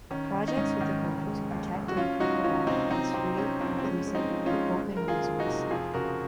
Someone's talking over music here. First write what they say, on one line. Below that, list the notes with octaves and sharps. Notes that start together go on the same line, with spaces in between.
Projects with the goal to protect and improve the web, as free, inclusive and open resource.
D#3 C#4
D#3
D#4
G#2 C#4
D#3
F1
G#3
D#2
F1
F#4
F3 C#4 F4
C#2 D#4 F#4
F3 C#4 F4
C3 C4 D#4
F#3 C4 D#4
C3 C4
F#3 C#4
F2 C4
C4
G#3 C#4
G#3
C4 D#4
F3
C#4 F4
G#3
F#1
F#1 A#4
F4 G#4
F2
D#4 F#4
C3
F2 F4 G#4
C#3 F#4 A#4